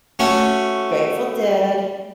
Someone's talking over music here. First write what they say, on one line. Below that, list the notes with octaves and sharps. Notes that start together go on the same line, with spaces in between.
Grateful Dead.
A3 C#4 F#4